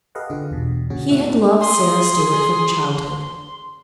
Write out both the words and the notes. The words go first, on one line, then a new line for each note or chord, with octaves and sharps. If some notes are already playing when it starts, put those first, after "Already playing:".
He had loved Sara Stuart from childhood.
G4 A4 B4 D#5 F5 F#5
D3 D4 F4 G#4
E2 B2
A#2 D3 C#4 F#4 G#4
A3 E4 F#4 G4 E5 F#5
A#3 C#4 D#4 E4
G#4 C6